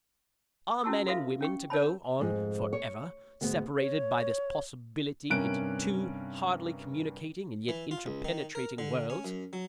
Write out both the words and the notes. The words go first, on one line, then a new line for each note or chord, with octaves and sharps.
Are men and women to go on for ever--separated by this possibility into two hardly communicating and yet interpenetrating worlds?
C#4 E4 F#4 A5 C#6 E6
F4 F#4 A4 B4 E5 F5
C#4 G5 C#6
A#4 C#5 A5 B5
F2 G#2
C#5
D2 G#2 B3
C#5
G2 C3 C#4 A#4 F#6 D7
E3
F4
C#2
D#3
A#4
D3
C#4
F#2
F#3